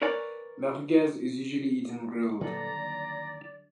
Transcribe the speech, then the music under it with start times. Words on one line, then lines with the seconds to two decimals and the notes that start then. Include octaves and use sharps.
Merguez is usually eaten grilled.
0.02 A#4 B4 C#5 D5 G#5
2.41 A#2 D3 F#3 G3 A4 B4 D5 A#5
2.71 D#2